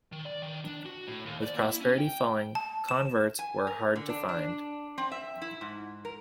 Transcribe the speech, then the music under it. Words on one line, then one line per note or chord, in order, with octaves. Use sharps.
With prosperity falling, converts were hard to find.
D#3
D5
D#3
D4
F#4
A2
D#2
D5
A#3
E4
C#4
G5
A5
E7
G#5
A#4
D3
D4
D4
C4
E5
E4
G#2
A#4